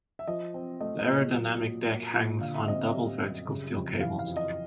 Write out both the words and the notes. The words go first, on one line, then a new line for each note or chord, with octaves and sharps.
The aerodynamic deck hangs on double vertical steel cables.
E5
F3 D#5
C4
A3 D#5
D#5
A#2
F#3
A#2
A#3
A#2
D3 F5
E5
C4 D#5
E5
G3
F#2
C#3
F2
E3 F5
F5
F2
D#5